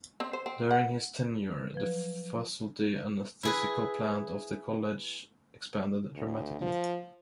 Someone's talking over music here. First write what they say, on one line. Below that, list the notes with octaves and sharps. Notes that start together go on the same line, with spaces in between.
During his tenure, the faculty and physical plant of the college expanded dramatically.
C4
C5
C4
F#5
F3 F#3 B4
E4 G#4 B4
D2
F3